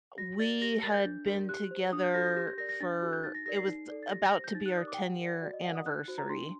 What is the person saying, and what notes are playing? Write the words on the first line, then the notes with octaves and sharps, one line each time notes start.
we had been together for it was about to be our ten-year anniversary.
F#4 A#6
A#4 D5 A6
G4 A#6
A#6
A#4 D5 A6
G6
D4
G4 A#4 D5
G4 F#6
C5
D4 D#6
G6
F#4 A4 A#6
A#6
G4 A#6
G6
A#4 D5 A#6
A#6
D4 A6
F#4 A4
G6
D#4 A6
A#6
G4 A#4 D5 A#6
C7
D#4
A4 D5
A6
G4 A#6
A#6
C5 A#6
G6
D#4 A6
F#6
G4 A#4 D5 D#6
D6
G5
G4 F#5
A#4 D5
F#4 D5
D#5
A#4 D5 F#5
D#6
D#4 F#6
F#4 C5
A#5
D4 C6